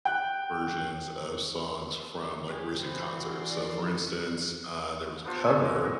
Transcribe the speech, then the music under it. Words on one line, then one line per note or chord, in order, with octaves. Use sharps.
versions of songs from, like, recent concerts so, for instance, uh, there was a cover
G5 F#6
G4 G#4
E3 C5
F#4 D5 C6
F3
B3 D4 F4 C5
D#5 E5 G#5 E6
F#4 C6 D6
A#5